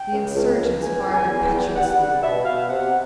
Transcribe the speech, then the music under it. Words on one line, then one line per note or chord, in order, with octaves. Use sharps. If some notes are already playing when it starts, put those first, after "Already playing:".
The insurgents fired impetuously.
Already playing: G5
C#2
C#2
C#2
E2 G#5
E2
G#5
E2
G5
E2
G3 F#5
G3 F#5
B2 E5
B2 F5
C3 F#5